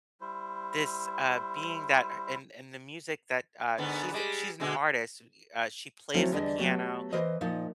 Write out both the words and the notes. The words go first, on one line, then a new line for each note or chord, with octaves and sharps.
this, uh, being that and and the music that, uh She's, uh she's an artist, uh, she plays the piano,
G3 E4 C5
G#2 D3 B3
G3 G#3
B2 D3 G#3
F3 F#3 A3 C4 C#4 E4
E2 D3 G3 D4 G#4 D#5
F#3 A3 B3 G4
E3 A#4 C5 D#5
A#2 F3 D#4 F4